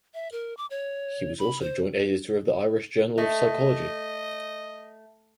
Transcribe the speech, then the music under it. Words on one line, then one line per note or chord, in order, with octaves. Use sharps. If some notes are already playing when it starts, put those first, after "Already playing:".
He was also joint editor of the "Irish Journal of Psychology".
E5
A#4
D6
C#5
B5
C5
A3 D#5